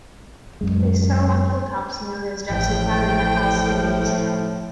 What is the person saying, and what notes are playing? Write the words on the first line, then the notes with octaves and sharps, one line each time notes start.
They settle on hilltops in areas densely crowded by Palestinians.
F#2 G#3
A1 A2 F3 G5